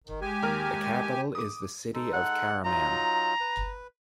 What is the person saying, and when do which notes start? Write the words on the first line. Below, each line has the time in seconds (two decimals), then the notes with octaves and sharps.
The capital is the city of Karaman.
0.07 D#3
0.21 G#3 G4 G#5
0.42 D#2 A#4 F6
1.35 D6 D#6
1.94 G#3 D#4 A4
2.13 F#5
2.65 F#3 D#4 F4 A#5
3.40 B4